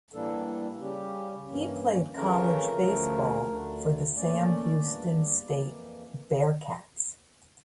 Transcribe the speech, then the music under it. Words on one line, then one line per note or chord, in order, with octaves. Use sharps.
He played college baseball for the Sam Houston State Bearkats.
A2 E3 G3 A#3 D4 A4
C#3 G3 C#4 G4
G2 E3 A#3 C#4
F2 C#3 E3 A3 C#4 A#4
D2 C#3 F3 A3
D2 D3 A3 D4
A#2 A3 C#4 D5
E2 E3 G3 A#3 D4
F2 E3 A#3